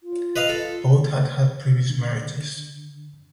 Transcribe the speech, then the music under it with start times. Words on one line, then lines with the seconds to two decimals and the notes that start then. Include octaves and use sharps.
Both had had previous marriages.
0.02 F4
0.36 B4 D#5 F5
0.49 A4
1.90 D3